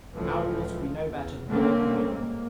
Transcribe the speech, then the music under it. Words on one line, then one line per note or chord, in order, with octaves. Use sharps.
Our laws will be no better than the men who make them.
C#2 A2 E3 F3 A3
E2
D3 G3 A3 A#3 C4 C#4
G#2 A#3